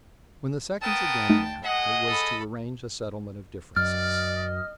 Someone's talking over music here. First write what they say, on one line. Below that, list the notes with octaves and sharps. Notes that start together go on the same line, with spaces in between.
When the seconds again met, it was to arrange a settlement of differences.
B3 A#4 G5 A5 D#6
A3 D#4
G#3 G#4 D#5 F#5
A4 B5
F#2 D5 D#5 F6